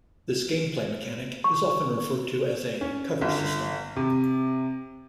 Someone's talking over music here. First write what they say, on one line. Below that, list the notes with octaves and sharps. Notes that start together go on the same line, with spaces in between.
This gameplay mechanic is often referred to as a "cover system".
C#6
C#4
G1
C3